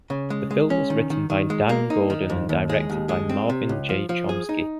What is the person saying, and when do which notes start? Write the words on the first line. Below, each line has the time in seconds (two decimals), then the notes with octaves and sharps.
The film was written by Dan Gordon and directed by Marvin J. Chomsky.
0.10 C#3
0.30 G#3
0.51 G#3
0.70 C#4
0.90 D#3
1.10 D#3
1.30 D#3
1.50 G#3
1.69 A#3
1.90 D#4
2.10 D#3
2.30 F2
2.49 D#2
2.69 G#3
2.90 D#2
3.09 G#3
3.29 C4
3.49 C3
3.69 C#2
3.89 F3
4.09 F3
4.29 G#4
4.49 D#4